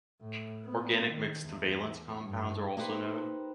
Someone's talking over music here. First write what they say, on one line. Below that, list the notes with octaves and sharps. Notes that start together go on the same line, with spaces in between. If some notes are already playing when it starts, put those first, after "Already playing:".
Organic mixed valence compounds are also known.
A2
B3
D#3
E2
G2
A#3 D#4 G4 B4 C5